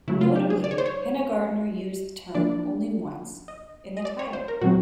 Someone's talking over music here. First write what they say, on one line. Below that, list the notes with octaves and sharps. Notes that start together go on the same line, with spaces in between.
Notably, Hinegardner used the term only once: in the title.
C#3 F#3 A3 E4
F4
G4
G#4
D5
C#5
C5
C#5
F3 A#3 D4 D5
D#5
D#5
D5
C#5
C5
A#4
A#2 F#3 A3 C4 F#4